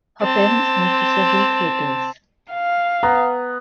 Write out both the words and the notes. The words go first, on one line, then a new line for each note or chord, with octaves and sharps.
Her parents moved to several theatres.
C4 A5
F5
B3 A#5